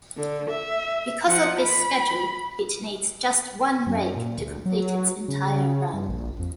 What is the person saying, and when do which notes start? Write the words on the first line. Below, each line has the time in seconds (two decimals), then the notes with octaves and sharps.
Because of this schedule, it needs just one rake to complete its entire run.
0.17 D3
0.50 E5
1.26 F3 F#5
1.61 B5
3.87 F#2
4.16 A#2
4.38 D2
4.65 F#3
5.28 C#3
5.93 G2
6.08 A#1
6.39 F2